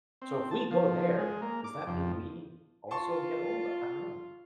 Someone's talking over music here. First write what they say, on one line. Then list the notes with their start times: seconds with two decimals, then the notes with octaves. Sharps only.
So, if we go there, does that mean we also get old? I don't know.
0.22 C4
0.51 A5
0.71 F3
1.19 G#3
1.42 A#3
1.64 D6
1.87 F2
2.91 F4 A5 C6 C#6